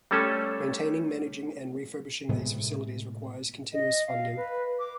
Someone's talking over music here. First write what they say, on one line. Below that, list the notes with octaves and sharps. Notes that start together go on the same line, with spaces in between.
Maintaining, managing and refurbishing these facilities requires continuous funding.
G3 A3 C#4 A4
A2 C3 G#3 B3
D#5
F5
B4
D6